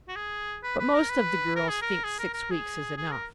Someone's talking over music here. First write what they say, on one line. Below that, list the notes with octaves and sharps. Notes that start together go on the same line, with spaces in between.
"But most of the girls think six weeks is enough."
F#4
G#4
B4
B4
A#4
B4
A#4
G#4
A#4
G#4
A#4
A#4
G#4
G#4
A#4